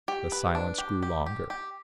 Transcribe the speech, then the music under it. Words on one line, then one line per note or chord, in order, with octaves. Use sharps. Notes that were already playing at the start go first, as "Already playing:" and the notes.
The silence grew longer.
G4
B4
D4
G4
G4
G4
G4